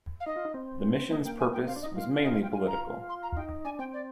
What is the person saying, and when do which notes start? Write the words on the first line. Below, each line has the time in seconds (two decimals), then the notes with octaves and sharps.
The mission's purpose was mainly political.
0.20 F5
0.26 D#4 D#5
0.36 F4
0.45 D#4
0.54 C4
1.11 A#3 D#5
1.25 A#3 G5
1.39 G#5
1.53 G5
1.67 C4 F5
1.76 D4
1.82 D#5
1.86 D#4
1.95 F4 F5
2.23 D#5
2.33 F5
2.42 G5
2.52 F4 G#5
2.66 A#5
3.09 C6
3.23 A#5
3.37 D#4 G5
3.65 D4 G#5
3.79 C4 G5
3.93 D5